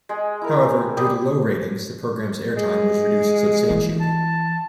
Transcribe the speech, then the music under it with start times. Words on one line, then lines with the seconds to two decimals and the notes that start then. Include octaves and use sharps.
However, due to low ratings the program's airtime was reduced substantially.
0.09 G#3 G#4
0.41 E4 A#4
0.66 C4
0.97 G3 G4 B5 D#6
2.57 G#3
3.70 E3
4.00 A5